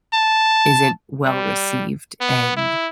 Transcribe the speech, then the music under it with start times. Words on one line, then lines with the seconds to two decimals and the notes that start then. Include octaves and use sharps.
isn't well-received, and
0.14 A5
1.26 G3
2.21 B3
2.57 E4